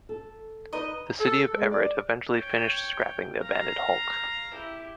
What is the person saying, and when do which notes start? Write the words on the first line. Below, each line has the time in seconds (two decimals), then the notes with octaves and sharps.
The city of Everett eventually finished scrapping the abandoned hulk.
0.09 A4
0.73 D#4 B4 D#5
1.20 A4
1.56 G#3
1.71 D5
2.35 C#5 G5
3.41 F5 A#5
4.54 E4 G4